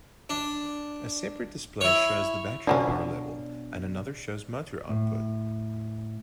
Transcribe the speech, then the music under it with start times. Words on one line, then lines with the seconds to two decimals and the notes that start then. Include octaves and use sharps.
A separate display shows the battery power level and another shows motor output.
0.30 D4
1.81 E4 C#5
2.67 B2 F3 F#3 C#4 D4 D5
4.89 A2